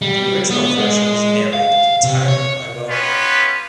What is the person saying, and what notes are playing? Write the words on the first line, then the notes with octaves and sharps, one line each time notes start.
The original version was narrated entirely by Will.
G3
B3
G#3
F5
C3
C#5
B3 C#4 F4 G4 B4